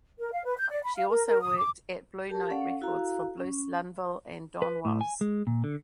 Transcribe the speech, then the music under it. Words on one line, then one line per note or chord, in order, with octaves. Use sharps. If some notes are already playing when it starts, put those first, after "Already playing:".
She also worked at Blue Note Records for Bruce Lundvall and Don Was.
A#4
F5
B4
G6
D5
B5
F5
A#4
A#4
D#6
D6
G4 A4 A#4 A5
C#4 A4 D5 F5 F#5
E4 F#4 A4 F5 A#5
C#4
B4
A2
G#5
G#3
A#2
D3